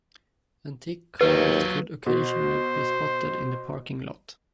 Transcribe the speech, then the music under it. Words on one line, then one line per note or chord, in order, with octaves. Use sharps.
Antique cars could occasionally be spotted in the parking lot.
D#2 F#3 F4 B4
B2 C5